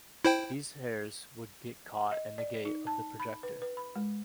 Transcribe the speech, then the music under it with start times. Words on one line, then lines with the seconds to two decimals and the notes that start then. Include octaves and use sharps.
These hairs would get caught in the 'gate' of the projector.
0.25 E4 C5 G5
2.11 D#5
2.38 D5
2.65 D#4
2.87 A5
3.20 B5
3.43 B4
3.62 B4
3.77 B5
3.95 G#3